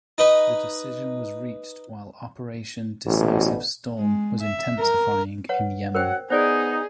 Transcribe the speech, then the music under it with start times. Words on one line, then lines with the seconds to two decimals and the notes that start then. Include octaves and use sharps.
The decision was reached while Operation Decisive Storm was intensifying in Yemen.
0.18 D#4 B4
3.07 A1 D2 B2
3.99 G#3
4.42 E5
4.79 A#4
5.49 B4 C#5 F#5
5.95 F#4 A#4 C5 C#5 F#5 G5
6.30 B3 D#4 G#4 C5 D5 G#5